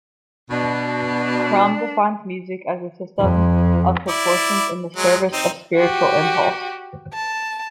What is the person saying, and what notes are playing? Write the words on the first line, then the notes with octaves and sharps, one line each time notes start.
Crumb defines music as a system of proportions in the service of spiritual impulse.
B2 D4
F2
E4 D5
F#3 G#3
C4 D#4
F#4 G4
A5